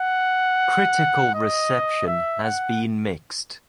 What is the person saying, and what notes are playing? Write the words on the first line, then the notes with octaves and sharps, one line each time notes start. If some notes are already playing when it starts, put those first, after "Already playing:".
Critical reception has been mixed.
Already playing: F#5
D#5
E5
F#5